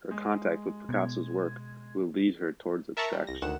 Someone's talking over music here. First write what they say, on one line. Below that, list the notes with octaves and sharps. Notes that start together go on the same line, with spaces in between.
Her contact with Picasso’s work will lead her towards abstraction.
G#3
B2 G#6
A#4 E5 A5 A#5 C#6
G3
C2 A#6
D2 D#3 F#5 E7